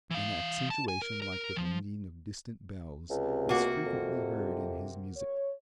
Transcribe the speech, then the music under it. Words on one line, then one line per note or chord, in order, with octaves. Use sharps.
An accentuation like the ringing of distant bells is frequently heard in his music.
E3 F5
A5
G#5
A#4
A#4
F3
C#2 C3
A#3 F#4
F2
C#5